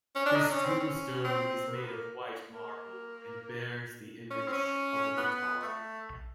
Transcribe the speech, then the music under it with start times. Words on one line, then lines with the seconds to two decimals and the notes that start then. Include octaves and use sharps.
His tombstone is made of white marble and bears the image of a guitar.
0.15 C#4
0.26 D4
0.36 D#4
0.44 D4
0.51 C#4
0.65 C4
0.80 C#4
1.24 C4
1.67 A#3
1.76 B3
1.85 A#3
2.55 A#3
4.30 C#4
4.48 C4
4.52 C#4
5.18 B3
5.62 A3